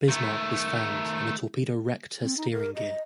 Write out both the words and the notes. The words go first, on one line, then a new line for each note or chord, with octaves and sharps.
"Bismarck" was found and a torpedo wrecked her steering gear.
D#3 A3
C4
D#4
A#4
D#5